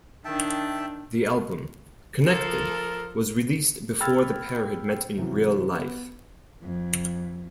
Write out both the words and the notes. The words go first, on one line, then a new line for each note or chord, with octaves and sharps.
The album, "Connected", was released before the pair had met in real life.
D#3 D4 E5 G5 A5
F3 A4 A#4
G5 B5 E6 F6 G#6 A6
C3 E3 F#3
B3
F2